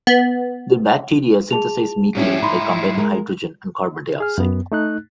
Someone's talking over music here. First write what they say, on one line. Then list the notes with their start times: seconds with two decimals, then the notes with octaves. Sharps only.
The bacteria synthesize methane by combining hydrogen and carbon dioxide.
0.07 B3
1.51 G#4 A5 F7
2.15 G#2 G3 C#4 E4 F#4
2.43 D#4 B5 C6
2.97 G#3 A#4
4.20 G#4 F6
4.38 F#2 B3
4.72 A3 D#4 F#6